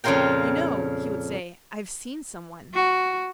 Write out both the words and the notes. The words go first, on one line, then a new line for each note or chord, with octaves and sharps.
"You know," he would say, "I've seen someone."
F2 A#2 C#3 F4 A#4 G5
F#4